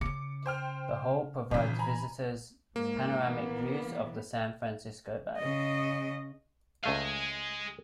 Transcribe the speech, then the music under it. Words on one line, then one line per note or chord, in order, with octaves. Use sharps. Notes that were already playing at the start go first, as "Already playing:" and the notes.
The Hall provides visitors panoramic views of the San Francisco Bay.
C#3 C#4 D6 C#7
C5 G5 F6
G#1 A#2 C#3 E3
G#5 A#5 B5
G#2 A#3
E3 B3
C#3 D#5
C#2 G#3 A3 G#4 F5